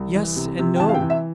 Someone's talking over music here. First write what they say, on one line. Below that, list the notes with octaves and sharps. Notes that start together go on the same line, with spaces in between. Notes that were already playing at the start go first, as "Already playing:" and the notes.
"Yes and no."
Already playing: C2
E3
C3
C3
G5
E3 A5
F5
G5
E3
E5